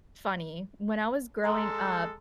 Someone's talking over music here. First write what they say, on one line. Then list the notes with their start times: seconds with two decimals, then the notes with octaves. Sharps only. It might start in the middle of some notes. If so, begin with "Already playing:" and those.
funny, when I was growing up,
1.44 G#3 A4 A#5 C6 D#6